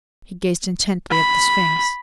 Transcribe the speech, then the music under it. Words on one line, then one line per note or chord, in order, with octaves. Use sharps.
He gazed intently at the sphinx.
B5